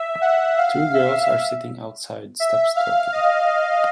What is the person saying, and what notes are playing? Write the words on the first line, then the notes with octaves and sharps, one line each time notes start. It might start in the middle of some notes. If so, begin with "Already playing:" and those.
Two girls are sitting outside steps talking.
Already playing: E5
F#5
F5
E5
E5
F5
D#5